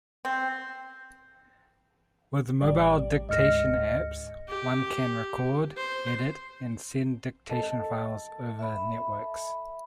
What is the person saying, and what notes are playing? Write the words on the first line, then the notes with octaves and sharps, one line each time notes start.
With mobile dictation apps, one can record, edit, and send dictation files over networks.
C4
A1 G3 D5
D2 G#2 D#5 F6 A#6 C#7
G4
C5
A4 D#5 A5
E5 B5